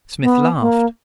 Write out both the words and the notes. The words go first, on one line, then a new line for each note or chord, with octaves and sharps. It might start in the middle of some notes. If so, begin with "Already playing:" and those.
Smith laughed.
B3
A#3